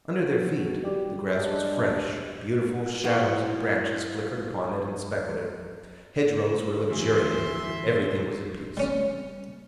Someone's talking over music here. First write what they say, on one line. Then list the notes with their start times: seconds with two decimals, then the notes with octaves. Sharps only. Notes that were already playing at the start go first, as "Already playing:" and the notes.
Under their feet, the grass was fresh; beautiful shadows of branches flickered upon it, and speckled it; hedgerows were luxuriant; everything was at peace.
0.13 B2 F#4
0.84 G3 G4
1.35 G#3 A3 D4
3.03 F3 E4 F#4
6.90 D3 E3 F#4 E5 G#5 C6
8.77 G3 C#4